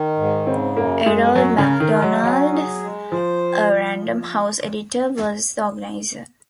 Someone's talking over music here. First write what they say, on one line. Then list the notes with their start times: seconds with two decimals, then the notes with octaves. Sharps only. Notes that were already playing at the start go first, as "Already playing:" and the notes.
Erroll McDonald, a Random House editor, was the organizer.
Already playing: D#3
0.17 G#2
0.47 C#3 C4
0.76 F#2 A#3
1.06 F#2 G#3
1.35 F#3 C#4
1.58 C#3
1.65 A#4
1.80 D#3
1.95 G#3
2.02 F#3
2.24 F#3 C#4
2.53 G#4
2.83 G#3
3.12 F3 C5